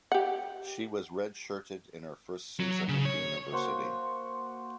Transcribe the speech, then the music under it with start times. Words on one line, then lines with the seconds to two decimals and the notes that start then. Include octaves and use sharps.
She was redshirted in her first season with the university.
0.12 G4 F#5
2.60 F#3
2.89 C#3
3.05 C#5
3.52 A#3 F#4 C5